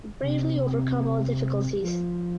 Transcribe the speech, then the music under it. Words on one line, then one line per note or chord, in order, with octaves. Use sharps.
Bravely overcome all difficulties.
C#3
C3
F3